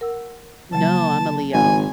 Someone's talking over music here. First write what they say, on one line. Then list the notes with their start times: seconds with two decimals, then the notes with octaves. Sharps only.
No, I'm a Leo.
0.01 A#4 F#5 E6
0.73 C#3 F#3 A#3 A5
1.53 G#1 G#5